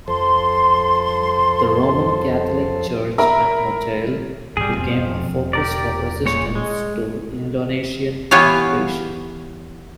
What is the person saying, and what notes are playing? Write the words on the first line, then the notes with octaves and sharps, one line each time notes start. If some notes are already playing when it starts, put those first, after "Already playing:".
The Roman Catholic Church at Motael became a focus for resistance to Indonesian occupation.
F2 A4 C5 C6
A#4 E5 A#5 B5
G#2 C3 G3 G#4
E1 F2 F3
G4 A#4 D5
A#2 G#3 C#5
G#3
E3 B3 G4 C#5 F5